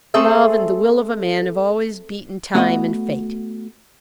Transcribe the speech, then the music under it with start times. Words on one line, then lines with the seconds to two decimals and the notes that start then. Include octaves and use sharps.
Love and the will of a man have always beaten Time and Fate.
0.14 A3 C4 G#4 A4 E5
2.55 A3 B3 F#4 D#5 F#5